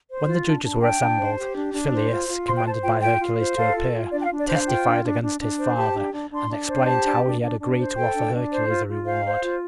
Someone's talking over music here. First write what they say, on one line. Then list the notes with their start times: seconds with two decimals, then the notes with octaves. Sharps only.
When the judges were assembled, Phyleus, commanded by Hercules to appear, testified against his father, and explained how he had agreed to offer Hercules a reward.
0.08 C5
0.27 F4
0.44 D4
0.63 D4
0.81 D4 G5
1.00 D4
1.17 C5
1.36 G4
1.55 D4
1.72 D4
1.91 C5
2.09 F4
2.27 F4
2.46 C5 C6
2.56 G5
2.65 C5 A5
2.83 F4 G5
3.02 F4 G5
3.20 F4
3.38 C5
3.56 A4 F5
3.74 F4
3.92 F4
4.11 D4 D5
4.20 G5
4.25 F5
4.30 D4
4.39 D5
4.48 C5 F5
4.66 F4 G5
4.84 D4
5.03 D4
5.21 D4
5.39 D4
5.58 C5
5.76 G4 A5
5.94 D4
6.13 D4
6.31 D4 C6
6.50 D4
6.67 C5
6.77 G5
6.86 G4 A5
7.05 D4
7.23 D4
7.41 D4
7.60 D4
7.78 C5
7.96 A4 G5
8.14 D4
8.33 D4
8.51 C5
8.70 F4
8.88 F4
9.06 C5 F5
9.25 C5
9.43 F4